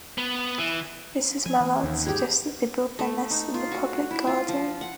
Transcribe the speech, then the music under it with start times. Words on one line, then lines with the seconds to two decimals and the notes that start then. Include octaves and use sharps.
Mrs. Mallard suggests that they build their nest in the Public Garden.
0.18 B3
0.58 E3
1.46 F3 G#5
1.60 E3 A#3
1.84 D#2
2.06 G2 G4 G#4
2.99 A3
3.31 D#4
3.54 F4
3.72 F#4
4.11 E4
4.27 F4
4.48 F3
4.81 F#5